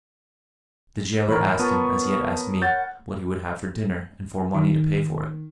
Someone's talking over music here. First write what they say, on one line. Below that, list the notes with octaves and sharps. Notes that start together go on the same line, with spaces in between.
The gaoler asked him, as he had asked me, what he would have for dinner, and for money to pay for it.
G#2 E3 A#4 C#5 B5
B3 F4 A5 C#6 D#6
C#5 F#5 G6 A6
D#3